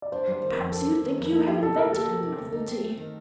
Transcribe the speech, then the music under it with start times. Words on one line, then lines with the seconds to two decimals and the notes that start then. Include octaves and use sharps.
Perhaps you think you have invented a novelty?
0.02 D5
0.12 D4 C5
0.27 G3 C5
0.42 D#3
0.52 F2 A#4
0.72 D4 A4
0.87 G3
1.03 D#3
1.18 F2 A#4
1.32 A#3 A4
1.47 F3 G4
1.63 C3 A4
1.78 D2 A#4
1.92 A#3 A4
2.07 F3
2.23 C3
2.38 D2
2.52 D#4
2.68 C4
2.83 A3
2.97 D#3